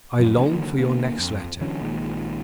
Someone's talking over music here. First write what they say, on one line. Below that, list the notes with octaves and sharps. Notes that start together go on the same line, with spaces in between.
I long for your next letter.
F#2 F3
D3 D#3 F#3 A#3
D3 A#3 B3
F2
D3 E3 F#3 C#4
A#1 A#2 D#3 G#3